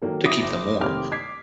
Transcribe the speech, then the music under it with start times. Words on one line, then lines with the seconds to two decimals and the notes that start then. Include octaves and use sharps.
to keep them warm.
0.02 D#3 F#3 A#3 A4
0.25 F#3 E4 D6 D#6 A#6
0.42 F#1
0.80 F1 D#3 C4 G4 D6 F6
1.11 D6 G#6 B6 C7